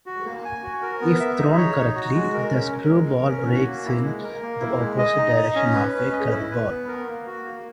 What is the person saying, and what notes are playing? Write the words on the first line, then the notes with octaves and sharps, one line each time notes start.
If thrown correctly, the screwball breaks in the opposite direction of a curveball.
F#4
A#3
G#5
F#4
A#4
B3
E5
D#4
C#5
D#4
F#4
G#3
A#4
C#4
A#4
G#3
A#4
C#4
F#4
A#3
E4
G#3
A#4
A#3
E4
G#3
D#5
D#4
D#5
C#4
B4
C#4
D#5
E4
B4
B3
A#4
A#3
F#4
A#3